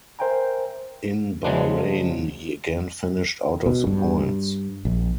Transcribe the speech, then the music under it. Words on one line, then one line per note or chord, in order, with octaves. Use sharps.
In Bahrain he again finished out of the points.
A#4 C5 E5 G5 G#5 A#5
C#3 F3 F#3 G#3 D4
B2
G2
A#1